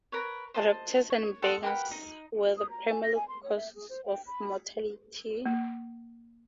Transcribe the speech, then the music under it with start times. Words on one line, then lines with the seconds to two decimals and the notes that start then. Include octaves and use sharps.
Raptors and badgers were the primary causes of mortality.
0.12 A#4 B4 C#5
0.54 C5 D#5 A5
1.10 C#5
1.42 A4 F#5 C6 D#6
1.63 G4 A#4 B4 F#5
1.91 D#4
2.58 D#6
2.70 A#5
2.91 G#5
3.03 A#6
3.15 G#5
3.28 C6
3.43 C#5
3.55 E5
3.75 G#4
3.89 C5
4.06 G5
4.27 B5
5.45 A#3